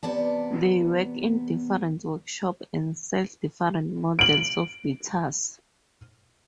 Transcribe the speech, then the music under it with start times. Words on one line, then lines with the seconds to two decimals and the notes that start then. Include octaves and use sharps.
They work in different workshops and sell different models of guitars.
0.03 E2 C3 B3 D5 A5
4.19 D7 F#7